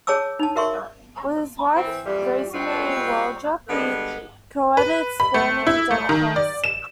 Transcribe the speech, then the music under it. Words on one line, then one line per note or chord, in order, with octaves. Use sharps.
With his wife Rosmarie Waldrop, he co-edits Burning Deck Press.
G#4 C#5 A5 D6 E6
D#4 A5
F#4 A#4 E5 C6 C#6
E3 C4
F2 E3 G3
G3 G#3 C4 F4 F#4
D3 G3 G#3 B3
B4
B5
A3
E4
A3
D#3
D5
E7